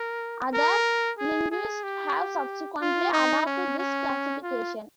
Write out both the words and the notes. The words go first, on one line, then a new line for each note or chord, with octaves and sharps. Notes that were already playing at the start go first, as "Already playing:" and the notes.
Other linguists have subsequently adopted this classification.
Already playing: A#4
A#4
G#4
G#4
G4
F4
D#4
C#4
C#4
F4